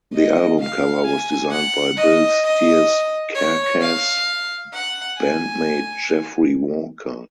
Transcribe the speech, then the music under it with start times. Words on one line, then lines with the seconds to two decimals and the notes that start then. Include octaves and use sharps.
The album cover was designed by Bill Steer's Carcass bandmate Jeffrey Walker.
0.14 D#5
0.59 F5
1.05 G#5
1.51 F#5
1.97 D#5
2.44 D#5
3.35 C#5
3.81 F5
4.73 F#5
5.19 G#5